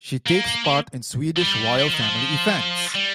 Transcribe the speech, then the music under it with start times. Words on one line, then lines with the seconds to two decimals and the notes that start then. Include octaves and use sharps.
She takes part in Swedish Royal Family events.
0.27 A#3
0.65 A#3
1.37 F3
1.42 G3
1.79 G3
1.87 F3
1.94 D#3
2.01 F3
2.95 G3